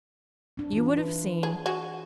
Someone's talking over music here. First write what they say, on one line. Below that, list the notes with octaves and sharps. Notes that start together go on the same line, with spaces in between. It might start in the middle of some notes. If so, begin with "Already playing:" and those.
You would have seen!
C4 D4
E3 F4
E4 B4
G#4
F#4 G#4